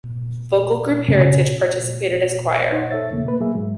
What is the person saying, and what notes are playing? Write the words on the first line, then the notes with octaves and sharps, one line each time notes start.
Vocal group Heritage participated as choir.
C#3
D#4 C5 C#5 D#5 F#5
A4 C#5 E5 A6
E2 C#3 A#3
B2 A#3 B4
F#3 A#3 G#4 E5
G#2 F#3 G#3